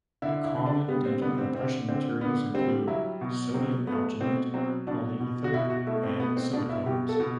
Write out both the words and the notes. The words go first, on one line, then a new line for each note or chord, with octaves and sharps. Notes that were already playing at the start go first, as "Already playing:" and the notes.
Common dental impression materials include sodium alginate, polyether, and silicones.
D3 E4
E4
D3
D4
G3 B3
C4
D3 B3
C4
D3 C4
D3 C4
D3 B3
G3 C4
F#3 E4
B2
F#3 C4
A3 B3
B2 C4
F#3 C4
B2 D4
B2
F#4
B2 E4
F#4
A3 E4
C4
B2 B3
C4
B2 D4
E4
B2 G4
A4
B2